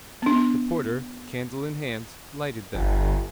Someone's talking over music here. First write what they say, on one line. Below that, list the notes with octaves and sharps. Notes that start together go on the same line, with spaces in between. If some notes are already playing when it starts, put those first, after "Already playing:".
The porter, candle in hand, lighted them.
B3 D4
G1